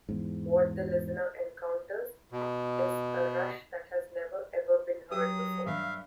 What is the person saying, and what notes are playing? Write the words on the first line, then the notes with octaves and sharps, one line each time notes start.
What the listener encounters is a Rush that has never "ever" been heard before.
E2 G#2
B2
F#3 G4 D#6
G2 E5 F5